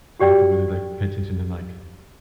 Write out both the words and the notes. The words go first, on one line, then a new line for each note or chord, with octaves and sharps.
so I have to really, like, pay attention to, like,
F#4 G4 D5 G5